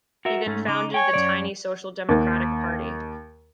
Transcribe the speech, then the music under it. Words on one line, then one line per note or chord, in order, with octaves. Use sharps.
He then founded the tiny Social Democratic Party.
F#4 A#4 E5
G#2 A3 C#4
C#3 D#4 D6
C#5 G5 G#5
F#2 F3 D5
D#2